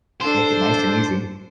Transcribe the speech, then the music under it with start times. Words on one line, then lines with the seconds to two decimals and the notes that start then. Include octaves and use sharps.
make it nice and easy."
0.21 D4 A4 C5